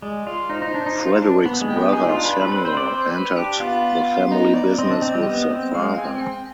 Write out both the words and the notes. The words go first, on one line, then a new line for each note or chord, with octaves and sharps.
Frederick's brother Samuel entered the family business with their father.
G#3 D5
F4 D5
D#4 C5
D#4
D4
D#4
F4
D4
B3
G#3
G4
B3
D#4 G#4
F4
D4
B4
C4 B4
B4
C5
D5
C5
B4
D4 G4
B3 F4
D#4
D5
C4 D#5
D4
C4
G3
B3
C4
G#3 F5
C4 G#5
G5